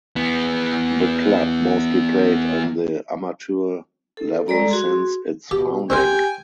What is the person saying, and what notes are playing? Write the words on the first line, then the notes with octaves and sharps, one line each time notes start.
The club mostly played on the amateur level since its founding.
E3 B3
A4
G3 G#3 A4 D5 A#5
F#4 G#4 C6
B2 G4
C4 G4 A#4 C5 G5 G#5